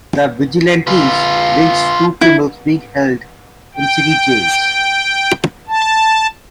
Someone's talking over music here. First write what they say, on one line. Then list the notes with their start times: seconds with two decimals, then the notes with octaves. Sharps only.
The vigilantes lynched two criminals being held in city jails.
0.87 F4 B4
2.21 E4
3.74 G5
5.68 A5